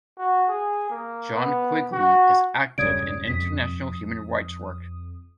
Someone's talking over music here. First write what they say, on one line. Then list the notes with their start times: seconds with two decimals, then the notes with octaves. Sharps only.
John Quigley is active in international human rights work.
0.19 F#4
0.49 G#4
0.90 A#3
1.35 B3
1.92 F#4
2.78 E1 G2 C#3 D5 D#6 G#6 D7
3.27 F2 D#6 B6